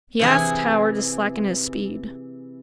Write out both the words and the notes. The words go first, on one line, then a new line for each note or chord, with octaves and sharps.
He asked Howard to slacken his speed.
C3 E3 G#4